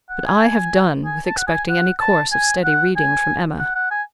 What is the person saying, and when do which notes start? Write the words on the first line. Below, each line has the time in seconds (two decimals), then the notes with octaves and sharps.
But I have done with expecting any course of steady reading from Emma.
0.10 F#5
0.26 G#5
1.05 G#5
1.26 A5
1.38 F#5
1.47 G#5
1.69 F#5
2.00 A5
2.32 G#5
2.64 F#5
2.96 G#5
3.59 F#5
3.75 F#5
3.91 G#5